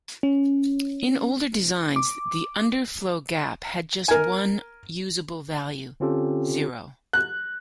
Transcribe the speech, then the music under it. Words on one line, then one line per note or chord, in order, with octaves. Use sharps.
In older designs, the underflow gap had just one usable value, zero.
C#4
D6
A#4 G#5
D3 C4 C#4 F4 G4 A4
F#6